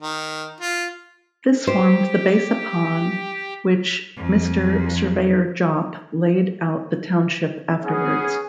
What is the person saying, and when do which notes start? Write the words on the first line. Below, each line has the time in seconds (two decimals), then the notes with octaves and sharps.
This formed the base upon which Mr. Surveyor Jopp laid out the township afterwards.
0.01 D#3
0.61 F4
1.67 G4 C5 G5
4.16 F2
7.83 B3 C#4 G#4